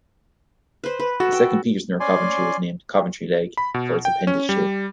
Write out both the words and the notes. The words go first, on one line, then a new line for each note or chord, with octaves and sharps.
A second piece near Coventry was named "Coventry Leg" for its appendage shape.
B4 C5
B4
F#4 A4
G5
C#4 D5 G#5 C6
B5
B2
G5
C#4
G3